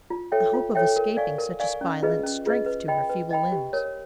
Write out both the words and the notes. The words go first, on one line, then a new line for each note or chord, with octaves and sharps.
The hope of escaping such a spy lent strength to her feeble limbs.
F4
A4 C#5 E5 G5
F4
A4 C#5 E5 G5
A#4
D5 F5 G#5 C#6
A#4
D5 F5 G#5 C#6
C#4
F4 G#4 B4 D#5
C#4
F4 G#4 B4 D#5
B4
D#5 G5 B5
B4
D#5 G5 B5
G4
A#4 C#5